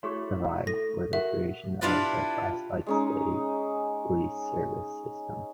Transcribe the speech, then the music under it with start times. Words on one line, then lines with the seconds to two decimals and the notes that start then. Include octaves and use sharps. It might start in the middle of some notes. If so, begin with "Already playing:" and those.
Provides for the creation of the classified State Police civil service system.
0.03 A3 E4 F#4 G#4 C#5 C#6
0.67 A4 A#6
1.13 F#4 G4 A#4 E5 F#5
1.81 D4 E4 F4 G4 B4 D5
2.86 G#3 C#4 D#4